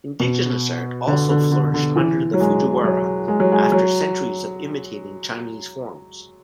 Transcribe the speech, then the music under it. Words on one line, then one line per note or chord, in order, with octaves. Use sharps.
Indigenous art also flourished under the Fujiwara after centuries of imitating Chinese forms.
B2
D3
D3
D3
D3
E3
F#3
G#3
F#3
G#3
F#3
G#3
F#3